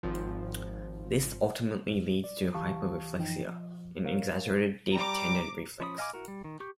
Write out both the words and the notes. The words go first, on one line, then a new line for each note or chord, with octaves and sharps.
This ultimately leads to hyperreflexia, an exaggerated deep tendon reflex.
G#1 F3
D5
C#2 E3 G4 F5 A5 C#6
F#2 E3 F3 D#4 G5
F3
A#4 C#5 F5
G3 A#5 D6
F3 C#4 B5 D#6
D#5 F5 G#5 B5 D6
E4 F#4 A#4
G3
D#3
G4 C#6 G6